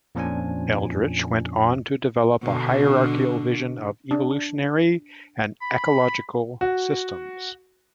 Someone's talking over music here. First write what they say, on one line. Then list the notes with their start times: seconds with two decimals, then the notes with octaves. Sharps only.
Eldredge went on to develop a hierarchical vision of evolutionary and ecological systems.
0.15 F2 A#2 F3 C#4 D4 G#5
2.42 B2 D3 D4
4.11 D4
5.61 B5
6.61 F#4